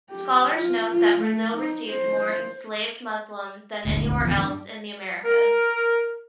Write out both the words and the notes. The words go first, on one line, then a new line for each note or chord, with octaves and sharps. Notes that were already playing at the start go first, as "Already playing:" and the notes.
Scholars note that Brazil received more enslaved Muslims than anywhere else in the Americas.
G4
F4
F4
A3
D#4
C5
D#1 G#1 D2
D1 E2 F3
G2
A#4